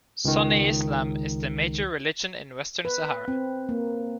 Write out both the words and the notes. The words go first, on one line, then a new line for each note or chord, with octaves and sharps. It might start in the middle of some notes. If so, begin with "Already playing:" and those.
Sunni Islam is the major religion in Western Sahara.
C#2 D#3
B4
C4
A#3